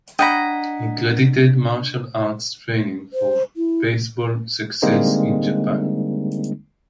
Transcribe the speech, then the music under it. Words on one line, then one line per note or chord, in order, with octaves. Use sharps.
He credited martial arts training for baseball success in Japan.
D4 D#5 F#5 G5 A#5 B5 B6
C5
E4
D3 G3 G#3 A#3 C4 D#4